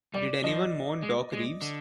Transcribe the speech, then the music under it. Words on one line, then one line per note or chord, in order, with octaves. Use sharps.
Did anyone mourn Doc Reeves?
G3 D5
F3 D#5
G#3
G#3
D3